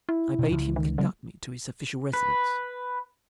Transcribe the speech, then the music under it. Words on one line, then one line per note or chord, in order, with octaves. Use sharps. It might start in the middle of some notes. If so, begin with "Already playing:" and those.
I bade him conduct me to his official residence.
E4
B2 D4
C#2
D#3
C#3 F#3 G#3 A#3
B4